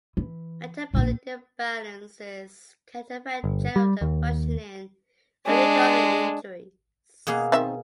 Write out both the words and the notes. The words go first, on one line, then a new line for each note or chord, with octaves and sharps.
Metabolic imbalances can affect general functioning and lead to other injuries.
E3
A#1 A#2
G1
G3
D#2
G#3 D4
B2 A#3 G#4
D#3 C4 E5